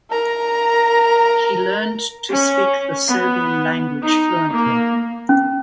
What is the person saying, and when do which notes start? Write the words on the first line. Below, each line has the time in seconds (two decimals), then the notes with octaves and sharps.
He learned to speak the Serbian language fluently.
0.10 A#4 A#5
2.30 C#4
3.08 B3
4.05 D#4
4.53 A#3
5.29 C#4